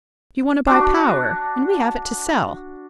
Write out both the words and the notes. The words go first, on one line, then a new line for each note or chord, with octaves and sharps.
You want to buy power, and we have it to sell.
D4 F#4